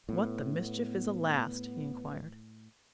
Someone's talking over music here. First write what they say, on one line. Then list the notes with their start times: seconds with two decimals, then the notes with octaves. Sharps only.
"What the mischief is a last?" he inquired.
0.09 A2 B3